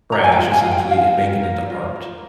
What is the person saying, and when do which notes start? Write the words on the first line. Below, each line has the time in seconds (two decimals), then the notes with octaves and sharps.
trash essentially, and make it into art
0.12 A#4 A#5
0.24 G#5
0.32 G5
0.39 F4
0.52 G#5
0.61 F4 F5
0.71 G5
0.91 F4 F5
1.17 A#4
1.43 A#4
1.70 F4
1.96 A#4